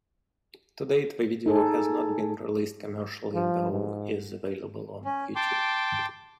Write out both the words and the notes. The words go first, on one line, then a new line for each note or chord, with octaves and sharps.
To date, the video has not been released commercially, though is available on YouTube.
D#4 G#4 A4
F3
G#2
C#4
G5 A5 C6 D6